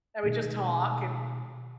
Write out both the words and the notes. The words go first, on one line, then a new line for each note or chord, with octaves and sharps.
And we'd just talk and
B2 D#3 G#3 A3